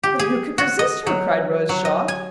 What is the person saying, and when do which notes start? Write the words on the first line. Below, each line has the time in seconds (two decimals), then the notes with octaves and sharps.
"But who could resist her?" cried Rose Shaw.
0.03 G4
0.19 G#4
0.58 F#4
0.79 D#5
1.07 F#3
1.69 F#3
1.85 D#5
2.08 G#5